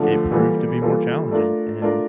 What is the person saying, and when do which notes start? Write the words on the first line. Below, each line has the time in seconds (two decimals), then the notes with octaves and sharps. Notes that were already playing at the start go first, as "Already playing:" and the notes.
it proved to be more challenging, and
Already playing: D3 F3 A3 D4
0.31 E3 G3 A#3 F4 A4
0.81 E3 G3 A#3 F4 A4
1.31 A3 D4 F4 A#4
1.81 A3 D4 F4 A#4